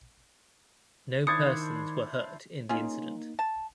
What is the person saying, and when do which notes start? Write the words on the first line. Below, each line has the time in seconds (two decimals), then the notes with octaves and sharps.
No persons were hurt in the incident.
1.27 D#3 D4 E4 C5 D#6 G#6 A6 C#7
2.69 A#3 C#4 D#4 F4 G#4
3.39 A5